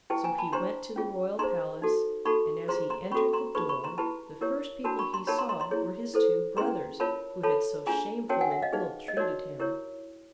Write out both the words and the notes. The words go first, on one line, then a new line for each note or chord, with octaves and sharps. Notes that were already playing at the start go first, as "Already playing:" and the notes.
So he went to the royal palace, and as he entered the door the first people he saw were his two brothers who had so shamefully ill-treated him.
E4 G4 B4 G5 A5
G#5 A#5
A5 B5
D4 G4 C5 A#5 C6
C#4 F4 G#4
D#4 G#4 C5 A#5 C6
D#4 F#4 A4
D#4 F#4 A4 B5 C#6
F4 G#4 C5 A#5 C6
A#5 C6
C#4 F#4 A4 B5 C#6
A#5 C6
D#4 G#4 B4 B5 C#6
B5 C#6
A#5 C6
E4 G4 B4 A5 B5
E4 G4 A#4 C#5
D4 F#4 A#4 A5 B5
B5 C#6
A#5 C6
D#4 G4 A#4 C#5 A5 B5
A#5 C6
A#5 C6
A#5 C6
E4 G#4 C#5
E4 A4 C5
C#4 E4 G#4 B4 A#5 C6
F4 A#4 C#5 A5 B5
F4 A4 C#5 A5 B5
D4 F4 G#4 G#5 A#5
C#4 F#4 A#4 C#5 G5 A5
F#5 G#5
E5 F#5
D#5 F5
D#4 G#4 B4
D#5
D#4 F#4 A#4 C#5 D5
E4 G4 A#4 C#5